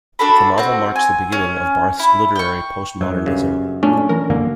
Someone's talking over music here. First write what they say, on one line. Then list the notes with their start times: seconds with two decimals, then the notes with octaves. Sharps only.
The novel marks the beginning of Barth's literary postmodernism.
0.19 D4 F#4 A4 B5
0.58 C4 F#4
0.96 G#5
1.32 C#4
1.99 E4
2.36 G5 C#6
3.01 F#2
3.26 G2 C#3
3.83 A#2 A3 C#4 D4
4.09 E3 A#4
4.30 F#2 D3 A#3